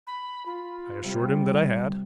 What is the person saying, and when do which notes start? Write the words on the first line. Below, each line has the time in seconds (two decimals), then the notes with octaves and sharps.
I assured him that I had.
0.07 B5
0.46 F4
1.03 C3 G3